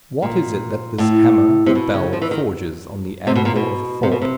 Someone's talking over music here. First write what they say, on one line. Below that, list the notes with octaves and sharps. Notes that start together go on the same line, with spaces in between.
What is it that this hammer, the bell, forges on the anvil of thought?
A#2
A2
C3
B2
C#3
F3
E3
D#3
C3
B2
A#2
B2
C3
B2
C3